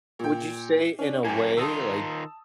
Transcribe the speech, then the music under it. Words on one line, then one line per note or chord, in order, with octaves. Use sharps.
Would you say in a way like,
A#2 G5
C#4 D4
F#2 A3 A#3 G5 G#5
D#3 D#4 F4 A5 D#6 E6